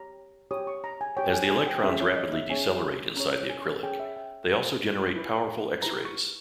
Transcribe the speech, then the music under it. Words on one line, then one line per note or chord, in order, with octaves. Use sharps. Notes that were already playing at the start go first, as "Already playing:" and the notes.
As the electrons rapidly decelerate inside the acrylic, they also generate powerful X-rays.
Already playing: G4 C#5 A#5
G4 C#5 D#6
C#6
A#5
G#5
G4 C#5 G5
G#5
G#5
G5
C#4 G#4 C#5 E5
C#5
D#5
E5
C#4 G#4 C#5 G#5
C#4 G#4 C#5 A#5
G#5
C#4 G#4 C#5 G5
E5
G5
E4 G4 B4
E4 G4 B4
E4 G4 B4 A#5
C#6